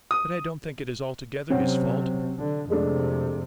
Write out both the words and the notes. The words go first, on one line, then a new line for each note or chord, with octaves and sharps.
But I don't think it is altogether his fault.
D#6
C3 F#3 C4 C#4 F#5
D3
F2 C3 G#3 A3 D4